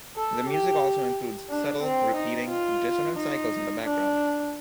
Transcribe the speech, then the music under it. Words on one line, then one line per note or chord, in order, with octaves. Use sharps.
The music also includes subtle, repeating, dissonant cycles in the background.
A4
G4
D4
C4
D#4
F4
D#4
D4